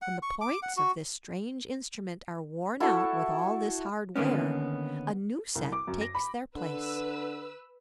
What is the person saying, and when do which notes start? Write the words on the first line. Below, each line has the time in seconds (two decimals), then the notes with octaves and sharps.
When the points of this strange instrument are worn out with all this hard wear, a new set takes their place.
0.02 F#5
0.22 C#6
0.41 D6
0.62 F#5
0.77 F#4
2.80 E4 F#4 A4
4.16 D3 D#3 A#3 B3 C#4
5.55 C2
5.72 D6
5.87 F#2
6.01 A#6
6.15 B5
6.55 D3 B4 E6